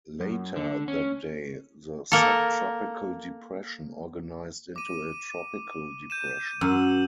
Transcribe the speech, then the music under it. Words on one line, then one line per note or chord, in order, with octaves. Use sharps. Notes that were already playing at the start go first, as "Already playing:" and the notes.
Later that day, the subtropical depression organized into a tropical depression.
F#2
D3
C#4
A#3 A4
D6 D#7
G6 D#7 E7
F#2 E6